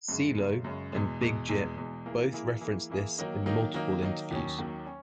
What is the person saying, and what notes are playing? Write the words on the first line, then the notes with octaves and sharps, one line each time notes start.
Cee-Lo and Big Gipp both referenced this in multiple interviews.
F#2 C#3 G#3
F#2 C#3 G#3
F#2 C#3 G#3
E2 B2 G#3
E2 B2 G#3
E2 B2 G#3
E2 B2 G#3
E3 A#3 E4 G#4
E3 A#3 E4 G#4
E3 A#3 E4 G#4
E3 A#3 E4 G#4
D#3 F#3 A#3 D#4
D#3 F#3 A#3 D#4
D#3 F#3 A#3 D#4
D#3 F#3 A#3 D#4
D#2 D#3 F#3 C#4
D#2 D#3 F#3 C#4
C#4